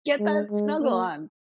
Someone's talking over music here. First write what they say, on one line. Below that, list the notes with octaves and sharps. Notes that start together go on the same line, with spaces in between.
get that snuggle on.
G#3
G#3
A#3